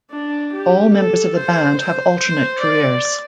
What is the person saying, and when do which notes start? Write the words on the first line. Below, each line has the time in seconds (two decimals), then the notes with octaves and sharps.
All members of the band have alternate careers.
0.10 D4
0.52 G4
0.93 A4
1.35 C5
1.76 C5
2.18 C5
2.59 D5